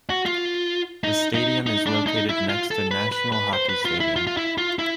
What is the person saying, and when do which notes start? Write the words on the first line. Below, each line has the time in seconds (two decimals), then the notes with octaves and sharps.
The stadium is located next to National Hockey Stadium.
0.10 F#4
0.26 F4
1.04 D#4
1.35 D#4
1.66 D#4
1.87 D4
2.07 D#4
2.29 E4
2.49 F4
2.71 A4
2.91 B4
3.12 B4
3.32 B4
3.53 C5
3.69 B4
3.85 F4
4.00 E4
4.16 F4
4.27 F4
4.37 E4
4.58 F4
4.79 E4